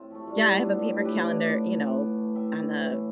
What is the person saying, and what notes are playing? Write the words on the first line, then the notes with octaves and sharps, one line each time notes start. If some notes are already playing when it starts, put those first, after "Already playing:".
Yeah, I have a paper calendar, you know, on the,
Already playing: A2 C4
F3 A3
A2 G3
F3 C4 E4
A2 B3 D4
F3
A2 E4 G4
G4 B4
F3 D5 F5
A2
F3
A2
E3
A2
E3
A2 E5 G5
E3
A2
E3